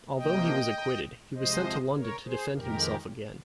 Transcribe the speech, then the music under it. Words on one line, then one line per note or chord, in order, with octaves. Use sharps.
Although he was acquitted, he was sent to London to defend himself again.
C3 F3 A#3 D#5 G5
C3 F3 G#3 C5 D#5
A#4 C#5
G#4 C5
F2 D#3 G#3 G4 A#4